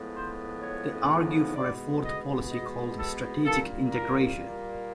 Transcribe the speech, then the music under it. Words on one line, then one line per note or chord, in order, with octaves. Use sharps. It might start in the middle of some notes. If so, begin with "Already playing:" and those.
They argue for a fourth policy called strategic integration.
Already playing: A2 F3 G#3 B3
C5
C#5
B2 G#3 B3 D5
D#5
D#5
A4
A#2 G3 A#3 A4
A#4